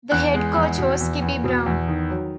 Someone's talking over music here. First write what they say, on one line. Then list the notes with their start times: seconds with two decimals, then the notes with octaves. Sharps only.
The head coach was Kippy Brown.
0.12 E2 F#6
0.34 G#3
0.55 E2
0.78 B2
1.01 E2
1.22 E2
1.44 B2
1.66 E2
1.88 D#3
2.10 F#3